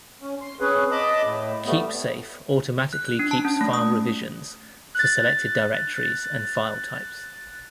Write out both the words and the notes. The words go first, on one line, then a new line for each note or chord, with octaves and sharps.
KeepSafe automatically keeps file revisions for selected directories and file types.
C#4
C6
C4 C#4 G#4 B4
D#5 A5 B5 D6
A2
G3 A3 B3
F#6
F#6
D4
A5
C#4
A3
D#6
F#6 A6